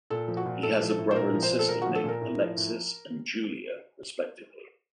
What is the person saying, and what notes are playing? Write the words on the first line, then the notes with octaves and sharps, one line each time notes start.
He has a brother and sister, named Alexis and Julia respectively.
A#2 A4
F3
F#4
A#2
A2 A4
F3
A4
A2
C5
A#2 A#4
F3
C5
A#2
A4
A#2 A#4
F3 F#4
A4
A#2 A#4
A2
F3
A2